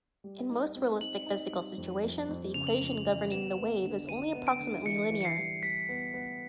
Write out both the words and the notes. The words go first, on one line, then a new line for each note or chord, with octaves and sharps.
In most realistic physical situations, the equation governing the wave is only approximately linear.
G3
D#4
C4
D#4 F#7
D#4
G3
F2
F2
F2
C#3 F7
F#7
F2 F7
E3
B3 E7
B3
D3
D3 D#7
B3
D7
D3
E3 C#7
E3
C#7
C7
G3
G3 B6
B3
B3